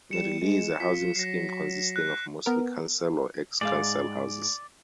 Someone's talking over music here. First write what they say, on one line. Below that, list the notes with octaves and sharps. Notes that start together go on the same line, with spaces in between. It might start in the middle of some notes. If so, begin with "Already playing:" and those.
Merrylee is a housing scheme consisting of mostly council or ex-council houses.
G3 C#7 E7
G#3
F4 B6
F#3 A#6 C7
F#6
B3 A#4
G#2 G#3 D5 F5